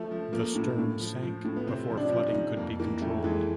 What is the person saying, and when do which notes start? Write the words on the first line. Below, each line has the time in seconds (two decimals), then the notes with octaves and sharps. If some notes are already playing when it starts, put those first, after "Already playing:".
The stern sank before flooding could be controlled.
Already playing: F3 A3
0.11 F3
0.32 F3 A#3
0.55 A2
0.78 A2
1.00 F3
1.23 F3
1.45 A2
1.56 B3
1.67 C3 C4
1.90 F3
1.97 D4
2.12 F3
2.27 D#4
2.35 F3
2.57 F2 A#3
2.80 E3 A#3
3.01 F2 A3
3.24 E3 G#3